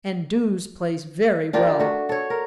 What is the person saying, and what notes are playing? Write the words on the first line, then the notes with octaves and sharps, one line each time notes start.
And Doos plays very well.
D4 F4 G4 A#4
A3 F#4
A4 C#5
A#4